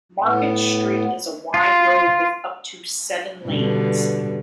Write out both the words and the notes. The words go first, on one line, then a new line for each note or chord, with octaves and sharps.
Market Street is a wide road with up to seven lanes.
A2 B3
F4
G2 B2 D3